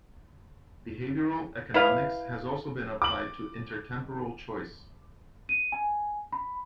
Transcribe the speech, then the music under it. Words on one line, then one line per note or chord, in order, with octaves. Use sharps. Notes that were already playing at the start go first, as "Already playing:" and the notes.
Behavioral economics has also been applied to intertemporal choice.
E4 B4 F5
D6 F#7
D#7
G#5
B5